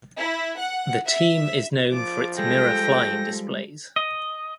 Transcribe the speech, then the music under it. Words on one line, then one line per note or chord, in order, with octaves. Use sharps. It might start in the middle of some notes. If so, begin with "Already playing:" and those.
The team is known for its mirror flying displays.
E4
F#5
E5
F3 D6 A6
G3 G#3 A4 G5 A#6
D#5